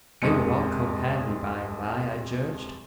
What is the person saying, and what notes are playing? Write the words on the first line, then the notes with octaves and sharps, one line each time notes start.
They would all come handy by and by, I judged.
D#1 A#1 F2 G#3 C#7